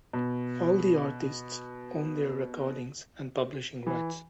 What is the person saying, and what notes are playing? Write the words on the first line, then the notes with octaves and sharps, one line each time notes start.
All the artists own their recordings and publishing rights.
B2
E3